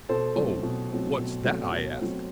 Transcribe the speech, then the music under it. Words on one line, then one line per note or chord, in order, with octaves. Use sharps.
"Oh! What's that?" I asked.
B2 A4 C5
F#3 A3 C4
B2
F#3 A3 C4
B2
F#3 A3 C4
B2
F#3 A3 C4